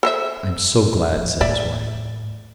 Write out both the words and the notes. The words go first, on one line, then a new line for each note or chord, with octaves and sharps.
"I am so glad," said his wife.
A4 C5 E5
A2 F3
A2 D5 E5